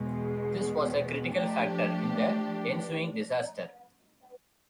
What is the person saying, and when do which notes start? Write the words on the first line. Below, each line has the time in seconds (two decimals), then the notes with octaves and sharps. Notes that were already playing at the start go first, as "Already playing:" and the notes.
This was a critical factor in the ensuing disaster.
Already playing: E2 B2 G#3
1.34 F3 A3 D4 G4